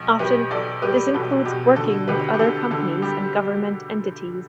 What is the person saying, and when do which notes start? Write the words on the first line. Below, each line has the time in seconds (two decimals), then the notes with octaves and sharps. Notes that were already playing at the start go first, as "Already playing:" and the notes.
Often this includes working with other companies and government entities.
Already playing: B1
0.19 B1 G4 B4
0.51 B1 A4 D5
0.82 G3 G4 B4
1.14 B2 A4
1.46 B2 G4
1.76 D3 A4
2.08 D2 G4 B4
2.34 G4
2.39 D3 A4
2.71 D3 A4
3.02 G3 G4